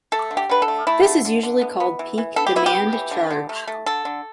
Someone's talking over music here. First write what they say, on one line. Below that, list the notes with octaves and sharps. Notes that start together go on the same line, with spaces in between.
This is usually called peak demand charge.
A3 A4
D3
G4
D3 B4
A4
A3
A3 E4
D3
D3
D3
B3
B3
E3
E3
B3 A4
G4
B3 E4
G4
B3
E3
D3
D3
A3
A3
D3 A4
D3